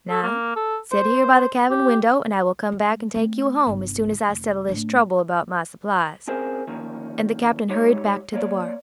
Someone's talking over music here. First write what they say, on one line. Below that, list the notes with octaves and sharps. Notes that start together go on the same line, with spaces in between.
"Now, sit here by the cabin window, and I will come back and take you home as soon as I settle this trouble about my supplies," and the Captain hurried back to the wharf.
A4
A#3
A4
C5
G4
G#3
A3 C4
G1 C2
E4
F1
A2 D4
C4 C#4 G#4 A#4 C5
D3 D#3 F3 A#3 C#4
G3 G#3 D#4 C#5
A#3 C#5 D5